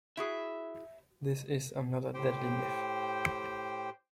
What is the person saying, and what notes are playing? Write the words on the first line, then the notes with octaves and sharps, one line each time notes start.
This is another deadly myth.
E4 F#4 G#4 E5
A2 G4 C5 G5